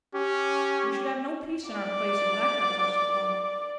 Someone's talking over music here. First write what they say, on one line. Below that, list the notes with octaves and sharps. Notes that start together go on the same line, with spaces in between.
We should have no peace in our place, if that got touched upon.
C#4 G4
D5 D6